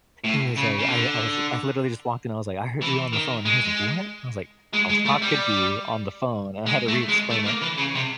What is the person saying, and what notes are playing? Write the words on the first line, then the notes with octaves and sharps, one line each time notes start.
He was like I I was I literally just walked in. I was like, "I heard you on the phone." He was like, "What?" I was like, "I was talking to you on the phone," and I had to re-explain it-
A2
C#3
C#3
D3
E3
D#3
G#3
G#3
G#3
A3
G3
G#3
A3
G#3
A3
A#3
E3
C#3
C3